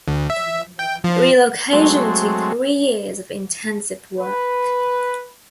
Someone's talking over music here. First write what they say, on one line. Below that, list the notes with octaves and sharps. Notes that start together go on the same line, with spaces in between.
The relocation took three years of intensive work.
D2
E5
G5
F3
F#3 G#3 A3 C4
B4